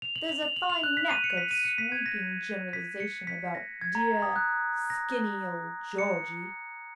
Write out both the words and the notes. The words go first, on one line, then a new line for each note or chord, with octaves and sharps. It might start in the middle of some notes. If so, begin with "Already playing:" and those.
There's a fine knack of sweeping generalisation about deah skinny old Georgey.
F7
F#7
F7
F7
F#7
F7
F#6
B6
D#7
C#7
B6
D#7
C#7
B6
G#6
A#6
B6
C#7
B6
A#6
G#6
A#5
D#6
F#6
A#6
C#7